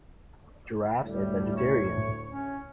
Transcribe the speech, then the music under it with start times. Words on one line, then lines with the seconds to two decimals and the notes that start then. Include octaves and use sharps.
Giraffes are vegetarians.
1.02 D2 A2 G3
1.56 C#5
2.27 C#4